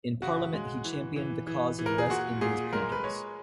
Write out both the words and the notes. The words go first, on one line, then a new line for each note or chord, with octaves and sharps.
In Parliament he championed the cause of West Indies planters.
C#3 F#4
G#3
E3
E3
E3
E3
A#4
G#4
A#2 F#4
A#2 G#4
G#3 A#4
B4
G#3 C#5